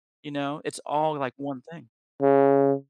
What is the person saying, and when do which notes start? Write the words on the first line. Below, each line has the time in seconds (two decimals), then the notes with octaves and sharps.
you know, it's all like one thing.
2.22 C#3